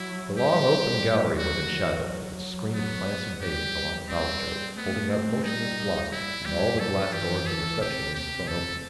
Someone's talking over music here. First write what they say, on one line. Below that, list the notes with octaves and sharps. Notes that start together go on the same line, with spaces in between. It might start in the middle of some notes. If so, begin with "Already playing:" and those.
The long open gallery was in shadow, with its screen of plants in vases along the balustrade, holding out motionless blossoms, and all the glass doors of the reception-rooms thrown open.
Already playing: F#3 E4
G3 G4
G3
F#3 F#4
E3
F#3
B3
G3 G4
G3 C4
A3 B3
C4
G3 D#4
E4
G3 G4
F#3 A4
E3 G4
A4
C3 G4
G4
A4